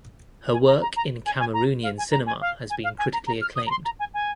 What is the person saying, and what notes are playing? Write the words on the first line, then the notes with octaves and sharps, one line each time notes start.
Her work in Cameroonian cinema has been critically acclaimed.
G#5
A#5
A#5
A#5
G#5
G#5
A#5
F5
G#5
A#5
G#5
F5
G#5
F5
G#5
A#5
A#5
F6
D#6
A#5
C6
A#5
G#5
G#5